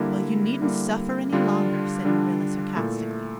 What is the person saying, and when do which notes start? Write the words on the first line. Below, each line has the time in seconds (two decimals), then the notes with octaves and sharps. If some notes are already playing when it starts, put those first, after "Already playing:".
"Well, you needn't suffer any longer," said Marilla sarcastically.
Already playing: D3 G3 A#3 E4
0.61 D3 G3 A#3 E4
1.32 D3 G3 D4 F4
2.05 D3 G3 D4 F4
2.76 A#2 A3 E4 A4